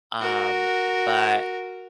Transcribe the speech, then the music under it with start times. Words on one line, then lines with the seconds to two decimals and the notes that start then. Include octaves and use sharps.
um, but
0.20 F#4 A#4